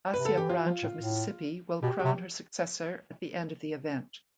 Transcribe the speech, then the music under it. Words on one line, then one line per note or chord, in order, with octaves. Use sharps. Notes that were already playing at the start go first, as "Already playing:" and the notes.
Asya Branch of Mississippi will crown her successor at the end of the event.
B4
C3
D3 A4
E3 G4
F3 F4
F3
A2
A2
B2 G4
G4
C3